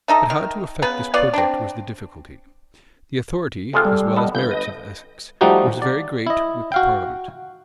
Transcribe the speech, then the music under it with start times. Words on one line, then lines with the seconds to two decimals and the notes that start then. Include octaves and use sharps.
But how to effect this project was the difficulty. The authority, as well as merits, of Essex was very great with the parliament.
0.08 A3 D#4 A4 D#5
0.30 D#3
0.82 C#3 B3 B4
1.14 B3 F4 C#5 D5
1.34 C4 D4
3.73 C3 G#3 F4 A4
3.85 G3
4.16 B3 A4 D#5
4.35 G1 B4 G6
4.51 D#5
5.41 F3 G3 A3 D#4 F#4 G4
5.82 D5
6.27 E4 D#5
6.72 F#4 F5 G5